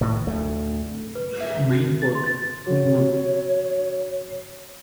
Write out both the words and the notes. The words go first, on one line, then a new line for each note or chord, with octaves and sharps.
Main port: Kungur.
A2 D#3
D2 A3
B4
E5
F#4
A6
C6
A6
F3 F#4 C#5